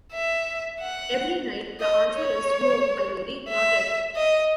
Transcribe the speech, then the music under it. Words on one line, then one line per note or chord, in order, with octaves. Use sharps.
Every night the answer is, "No, my Lady, not yet."
E5
F#5
D#5
C#5
E5
D#5